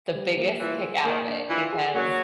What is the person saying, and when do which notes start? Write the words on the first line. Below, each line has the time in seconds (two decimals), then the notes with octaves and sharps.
the biggest kick out of it because,
0.15 G3
0.37 A#3
0.60 E3 F4
0.83 G#4
1.04 D#3 A#3
1.26 D4
1.50 E3 F4
1.72 G#4
1.94 F#3 A#3